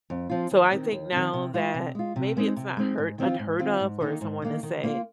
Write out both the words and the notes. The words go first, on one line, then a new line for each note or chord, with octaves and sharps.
So I think now that maybe it's not hur unheard of for someone to say,
F2
F3 C4 F4
D#2
D#3 C4
D#2
D#3 C4
C3
G#3 F4
C3
G#3 F4
C3
G#3 C4 D#4
C3
G#3 C4 D#4
G#2
D#3 C4 F4
G#2
D#3 C4 F4
G#2
D#3 A#3 D#4
G#2
D#3 A#3 D#4
D#3
A#3 F4